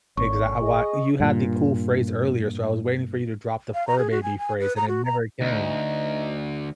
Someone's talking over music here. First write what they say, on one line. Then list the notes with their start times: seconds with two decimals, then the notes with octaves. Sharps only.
Exact a lot you had the cool phrase earlier, so I was waiting for you to drop the fur baby phrase and it never came.
0.17 G#1 D3 A#3 C#5 C#6
0.61 G#4 D#5
1.20 G2 A#2
3.74 F5
3.88 A#5
3.99 G#4
4.11 F#4
4.23 G#5
4.38 G#5
4.60 B4
4.77 A#5
4.88 F#4
5.05 A#5
5.41 D2 D#4